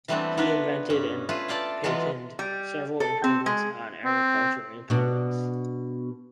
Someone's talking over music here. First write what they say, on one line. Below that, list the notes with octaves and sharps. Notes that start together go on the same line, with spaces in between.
He invented and patented several improvements on agricultural implements.
E3 G3 A3 B3 C4 D4
B3 D4 F4 A#4 B4 C#5
G2 C#4
A3 F4 G#4 B4
F4 A4 D5 F5 G5
E3 F#3 G#3 B3 F4
G3
A4
C4
G#3
C4
B2 D4